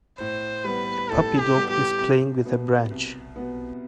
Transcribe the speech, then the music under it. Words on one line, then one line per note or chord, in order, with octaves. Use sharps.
A puppy dog is playing with a branch.
A2 C5
G3 B3 B4
A2 A4
G4
G3 B3
G4
C2
B2 B3
C2
B2 B3